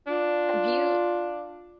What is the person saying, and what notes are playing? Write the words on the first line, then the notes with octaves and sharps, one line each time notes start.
Have you
D4 F4